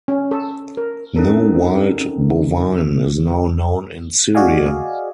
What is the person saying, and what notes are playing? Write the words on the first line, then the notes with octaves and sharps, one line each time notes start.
No wild bovine is now known in Syria.
C#4
A4
A#4
C4 C#4 D#4 A4 A#4
F#4 G#4 D5 D#5 F5 G#5